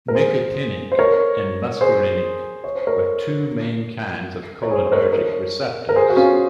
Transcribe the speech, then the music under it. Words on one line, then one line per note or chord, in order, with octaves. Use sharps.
Nicotinic and muscarinic are two main kinds of "cholinergic" receptors.
A#4
G#4 C5
C5
A#4 C#5
G#4 C5
C#5
C5
A#4 C#5
C#5
G#4 C5
C5
A#4 C#5
A#4 C#5
A#4
G#4 C5
F#4
C#4 F4